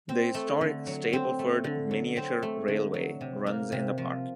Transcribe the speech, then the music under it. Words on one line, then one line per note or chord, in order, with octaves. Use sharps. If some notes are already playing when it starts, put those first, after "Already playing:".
The historic Stapleford Miniature Railway runs in the park.
C4
A3
D3
F#3
C4
A3
D3
F#3
C4
A3
D3
F#3
C3
A#3
C3
F3